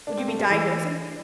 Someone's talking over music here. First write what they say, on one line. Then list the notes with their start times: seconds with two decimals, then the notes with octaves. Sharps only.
Would you be diagnosing?
0.07 D4
0.18 C4
0.28 A3
0.39 G3
0.50 E3